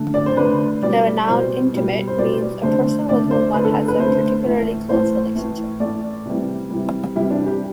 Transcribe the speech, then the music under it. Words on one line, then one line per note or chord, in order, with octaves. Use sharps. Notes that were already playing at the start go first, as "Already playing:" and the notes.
The noun "intimate" means a person with whom one has a particularly close relationship.
Already playing: D3 A3
D5
C5
D3 A3 B4
B2 G3 D5
B2 G3 C5
B2 G3
C5
B2 G3 D5
D3 A3 C5
D3 A3 D5
C5
D3 A3 B4
A4
B4
D3 A3 C5
A2 E3 A3
A2 E3 A3 C5
A2 E3 A3
A2 E3 A3 D5
C3 E3 G3
C3 E3 G3
C3 E3 G3 E4
D4
G4